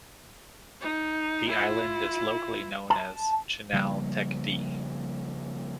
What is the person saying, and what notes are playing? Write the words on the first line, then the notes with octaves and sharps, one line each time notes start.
The island is locally known as "Chinal Tekdi".
D#4
E4 F4
A5
C#3 F3 G3 A#3